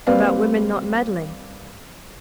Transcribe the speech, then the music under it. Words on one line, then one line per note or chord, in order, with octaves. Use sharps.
'About women not meddling.
G3 A#3 C4 B4 D5 F5